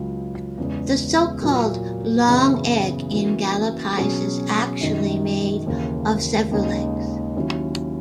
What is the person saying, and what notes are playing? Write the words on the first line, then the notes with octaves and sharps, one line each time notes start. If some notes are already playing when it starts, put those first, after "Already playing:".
The so-called "long egg" in gala pies is actually made of several eggs.
Already playing: C#2 C#3 F#3
E2 C#3 G#3
A#2 F#3 A#3
F#2 C#3 E3 B3 E4
E3 A#3 C#4 F#4
B2 F#3 C#4 G#4
F#2 D#3 G#3 D#4
D#2 C#3 E3 A#3
D#2 C#3 G#3 D#4
D#2 D#3 F#3 C#4 E4